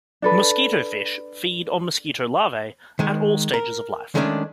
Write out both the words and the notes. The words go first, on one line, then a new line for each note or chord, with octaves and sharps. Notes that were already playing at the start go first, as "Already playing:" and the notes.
Mosquitofish feed on mosquito larvae at all stages of life.
D4 A4 B4
D#3 G#3
A#4
D#3 G#3 A3 C#4 D4